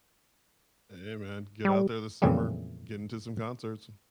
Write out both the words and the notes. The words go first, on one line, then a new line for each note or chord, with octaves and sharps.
H hey, man, get out there this summer. Get into some concerts.
G3
F2 A#2 C#3 E3 G3 A3